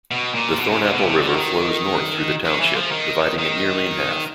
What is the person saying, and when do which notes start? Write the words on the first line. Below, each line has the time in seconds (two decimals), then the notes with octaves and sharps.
The Thornapple River flows north through the township, dividing it nearly in half.
0.11 B2
0.34 A#2
0.58 B2
0.70 C#3
0.82 C3
0.93 B2
1.04 C3
1.20 D3
1.36 D#3
2.45 D#3
2.60 E3
2.76 F3
2.91 D#3
3.39 D#3